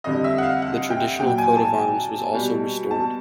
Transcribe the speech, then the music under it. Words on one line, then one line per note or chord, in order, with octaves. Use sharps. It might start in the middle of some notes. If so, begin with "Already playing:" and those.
The traditional coat of arms was also restored.
F2 D3 G3 D#5
E5
F#5
F5
F#5
G5
A#2 F#3 G5
G#5
A5
B2 G3
A5